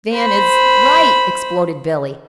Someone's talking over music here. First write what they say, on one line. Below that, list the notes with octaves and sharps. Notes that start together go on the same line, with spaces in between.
"Van is--right!" exploded Billie.
C5 B5